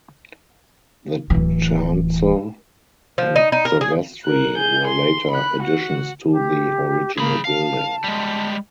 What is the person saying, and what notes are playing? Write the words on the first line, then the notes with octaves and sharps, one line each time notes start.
The chancel and the vestry were later additions to the original building.
D1 E3
F3
D#4
D#4
A#4
G#4
A#4 F#6
G#4 G6
C6
B5 F#6
F#4 F#5
G4
A#3 G#4 B5
F5 A5
G3 G#3